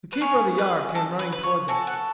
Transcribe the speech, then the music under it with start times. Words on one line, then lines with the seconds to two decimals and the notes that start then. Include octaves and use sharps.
The keeper of the yard came running toward them.
0.13 B4
0.21 C#4 G#4 C#5
0.58 B4
0.95 A4
1.19 B4
1.32 B4
1.43 C#5
1.68 C#4 F#4 A4 G#5
1.87 F#5